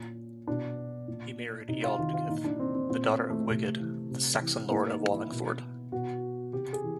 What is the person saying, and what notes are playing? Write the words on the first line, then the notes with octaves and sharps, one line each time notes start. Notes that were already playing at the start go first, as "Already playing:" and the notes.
He married Ealdgyth, the daughter of Wigod, the Saxon lord of Wallingford.
Already playing: A#2 C#4
B2 D4
A#2
C3 D#4
F4
D#3 F4
F4
A#2 D#4
D4
C4
C4
A#2 C4
A3
C3 A3
E3
C3
E3
A2 A#3
D#4
E3
E4
B2
B2 F#4
C3 G4
G#4
E3